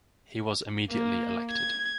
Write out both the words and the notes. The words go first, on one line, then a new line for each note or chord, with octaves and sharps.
He was immediately elected.
A#3
G#6